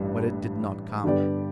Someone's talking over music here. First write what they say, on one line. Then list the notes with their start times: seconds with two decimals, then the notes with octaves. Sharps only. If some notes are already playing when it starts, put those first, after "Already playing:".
But it did not come.
Already playing: A1 G2 G3 D4
1.04 G2 D3 B3 G4 D5